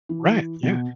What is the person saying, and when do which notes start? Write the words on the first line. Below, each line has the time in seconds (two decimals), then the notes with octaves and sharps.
right? Yeah,
0.09 E3
0.63 B2